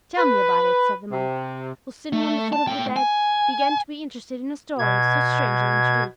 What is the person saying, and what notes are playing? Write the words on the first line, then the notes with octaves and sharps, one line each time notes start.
"Tell me about it," said the monk, who, sitting on the foot of the bed, began to be interested in a story so strangely introduced.
B4
C3
A3
A5
A2 G5
G#5
B2 G#6